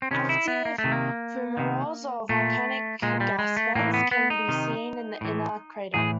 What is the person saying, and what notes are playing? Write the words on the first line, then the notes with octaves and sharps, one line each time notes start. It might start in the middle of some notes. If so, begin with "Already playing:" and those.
Active fumaroles, or volcanic gas vents, can be seen in the inner crater.
C4
C3 D#3 C#4
E4
B3
A#3
A3
C3 D#3
A#3
C3 D#3
A#2 A3
A#2 G#3
G3
G#3
A3
A2 E3 A#3
B3
B3
D#4
C3 D#3
A2 E3
A2 E3 G#4